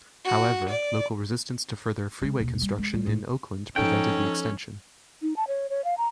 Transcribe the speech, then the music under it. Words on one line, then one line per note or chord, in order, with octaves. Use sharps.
However, local resistance to further freeway construction in Oakland prevented the extension.
F#4
D5
C#3 G#3
D#2 B2
G3
G#3
G3 F4
A2 A3
F3 C#4 D#4 A4 G5
D#4
A5
C#5
C#5
F5
A#5